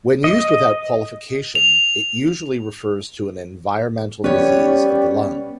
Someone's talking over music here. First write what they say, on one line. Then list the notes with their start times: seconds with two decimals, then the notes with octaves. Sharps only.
When used without qualification, it usually refers to an environmental disease of the lung.
0.24 D#5
1.55 F7
4.24 G3 B3 C#4 B4 C#5